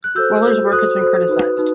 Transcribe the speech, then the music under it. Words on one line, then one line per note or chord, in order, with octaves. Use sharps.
Wehler's work has been criticized.
F#6
F#4 A4 C5 E6 G6
F#4 A4 C5
F#4 A4 C5 D#6 F#6
F#4 A4 C5
D#4 F#4 B4
D#4 F#4 B4